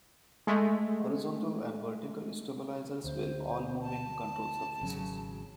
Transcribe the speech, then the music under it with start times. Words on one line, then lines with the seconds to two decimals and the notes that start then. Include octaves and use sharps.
Horizontal and vertical stabilizers were "all-moving" control surfaces.
0.47 G#3 A3
3.04 D2 C5
3.81 A5
4.81 G#1 C#3 F#3